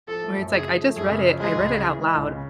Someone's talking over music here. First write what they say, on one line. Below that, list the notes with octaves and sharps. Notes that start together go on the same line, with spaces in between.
where it's like, I just read it, I read it out loud,
F3 A4
A3
F#2
C#3 G#4
F3
A3
F#2 G#4
C#3
F3
G#3 G#4
C#2
C#3
E3
G#3
C#2
C#3